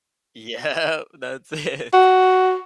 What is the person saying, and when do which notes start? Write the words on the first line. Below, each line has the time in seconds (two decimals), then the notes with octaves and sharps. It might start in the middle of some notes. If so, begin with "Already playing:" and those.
Yep, that's it.
1.93 F#4